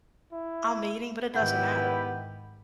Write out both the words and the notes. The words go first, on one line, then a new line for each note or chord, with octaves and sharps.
I'm meeting, but it doesn't matter.
E4
G#2 D#3 B3 E4 G4 B4 F#5 G6